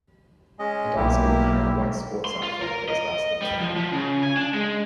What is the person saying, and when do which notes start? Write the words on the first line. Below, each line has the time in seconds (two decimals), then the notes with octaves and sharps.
A darkskinned man in a white sports outfit plays basketball.
0.59 G#3 C#4 D#5
0.96 B1 A2 A#3 E4 G4
2.25 C6
2.43 F4
2.61 A#4
2.89 D#5
3.42 G3
3.60 F3
3.76 F3
3.93 C#3
4.23 G#5
4.37 D4
4.54 G#3